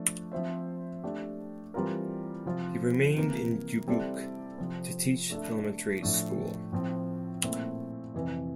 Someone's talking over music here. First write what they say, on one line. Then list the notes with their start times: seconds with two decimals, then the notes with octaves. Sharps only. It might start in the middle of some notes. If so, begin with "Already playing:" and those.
He remained in Dubuque to teach elementary school.
Already playing: F3 A3 D4
0.32 F3 C4 F4 C5 E5
1.04 A3 D4 G4
1.74 E3 G3 C4 F4 A#4
2.45 C3 F3 C4 F4
3.16 C3 E3 A#3
3.88 G3 C4 E4 A4 D5
4.58 C3 F3 C4
5.30 A3 D4 A4 E5
6.01 A2 F3 A3 D4
6.72 A2 F3 C4
7.43 A#2 A3 C4 E4
8.14 F2 C3 E3